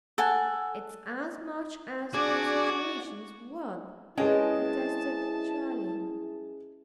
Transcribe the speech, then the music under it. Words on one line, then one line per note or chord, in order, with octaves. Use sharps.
"It's as much as my situation's worth," protested Charlie.
A4 F#5 G#5
D4 F#4 G#4 D5
G#3 C#4 E4 G#4 B4 D#5 G5 A5